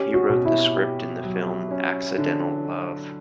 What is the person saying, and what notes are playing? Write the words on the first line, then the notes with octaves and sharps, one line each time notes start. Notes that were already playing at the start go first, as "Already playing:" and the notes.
He wrote the script in the film "Accidental Love".
Already playing: C#4 G4
F#4
B2
E4
G4
F#3
C#4
D3